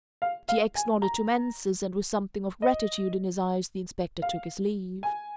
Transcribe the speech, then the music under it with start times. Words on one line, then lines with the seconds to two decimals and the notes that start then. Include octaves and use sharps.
T. X. nodded to Mansus and with something of gratitude in his eyes the inspector took his leave.
0.22 F5
0.49 F5
0.75 G#5
1.02 A#5
2.62 D#5
4.22 F5
5.03 G#5